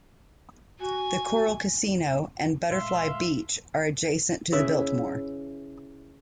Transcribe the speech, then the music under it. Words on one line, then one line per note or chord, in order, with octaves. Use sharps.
The 'Coral Casino' and 'Butterfly Beach' are adjacent to the Biltmore.
F#4 G#5
A#2 G#3 A3 E5 F5 C6
C#3 E4 B4 E5